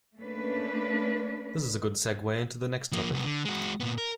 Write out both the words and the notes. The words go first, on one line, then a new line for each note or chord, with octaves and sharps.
This is a good segway into the next topic.
A3 A#3 C#4 D4 B4
F3 A#3
C2 B3
D3
G#3 F#4
A#2 B3
A#4